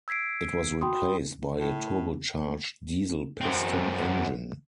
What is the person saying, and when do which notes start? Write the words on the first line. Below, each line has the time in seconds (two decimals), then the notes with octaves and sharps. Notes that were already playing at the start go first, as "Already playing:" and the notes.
It was replaced by a turbocharged diesel piston engine.
0.08 E6 G#6 B6 C7 D7
0.81 F#4 G5 B5 C6 D#6
1.60 A2
3.41 F#2 C4